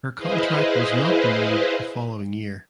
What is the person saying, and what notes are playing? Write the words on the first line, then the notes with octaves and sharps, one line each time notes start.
Her contract was not renewed the following year.
E4 G#4 B4 C5 D#5 F5